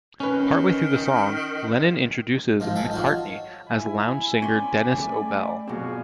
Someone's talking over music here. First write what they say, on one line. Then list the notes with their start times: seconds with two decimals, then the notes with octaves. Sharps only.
Partway through the song, Lennon introduces McCartney as lounge singer Denis O'Bell.
0.20 D#3 C#4 B4
2.60 G#2 D#3 F3
2.76 G#4 A4 B4 G5
2.91 D#4 F4 F#4
3.06 C#5
3.67 E4 G#5 B5
4.42 C#4 D5 G5 C6 D6
4.98 A3
5.68 B2 F3 F#3 A#3 C4 C#4 F#4 G#4